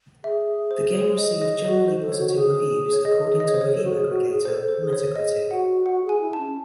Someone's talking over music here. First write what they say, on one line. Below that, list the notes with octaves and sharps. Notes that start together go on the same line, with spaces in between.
The game received generally positive reviews according to review aggregator Metacritic.
G#4 E5
C5
C#5
D#5
D#5
F#4 D#5
C5
A4
C#5
F#4
F#4
G#4
C#5
D#5
D#5
C#5
C5
C#5
A4
F#4
G#4
F#4
G#4
A4 C5
A4 C5
G#4
C#5
G#4
G#4 D#5
F#4 F#5
F#4 F#5
G#4
G#5
E4
A5
C#4